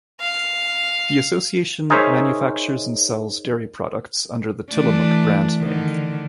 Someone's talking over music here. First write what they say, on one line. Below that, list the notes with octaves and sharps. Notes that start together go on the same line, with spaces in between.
The association manufactures and sells dairy products under the "Tillamook" brand name.
F5
D#4 G#4 A#4 C5 C#5 E5
E3 A3 D4
D3 D#3